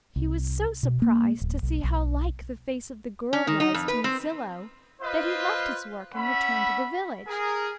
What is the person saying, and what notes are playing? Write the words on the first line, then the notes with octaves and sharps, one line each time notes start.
He was so surprised to see how like the face of the girl was to Masilo, that he left his work and returned to the village.
C2
B2
A#3
D1
B1
B1
C#4
D#3
D#4
F2
B4
C4
F4 B4 C5 D#5 F5 C6
C#4 E5 F#5 B5
G#4 A#4